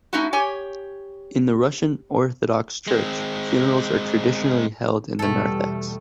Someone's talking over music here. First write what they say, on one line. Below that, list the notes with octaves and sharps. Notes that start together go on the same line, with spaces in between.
In the Russian Orthodox Church funerals are traditionally held in the narthex.
A3 C#4 D#4 E4 F#4
G4 C#5 G#5
G#3 C4
E2 B2 G3 A3 A4